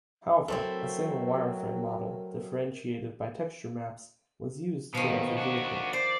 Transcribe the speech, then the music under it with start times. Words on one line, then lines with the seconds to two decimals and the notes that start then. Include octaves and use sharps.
However, a single wire-frame model, differentiated by texture maps, was used for every vehicle.
0.48 F#3 A3 C4 E4 A#4
4.95 B2 D#3 F3
5.38 D4 F#4
5.93 C5 D5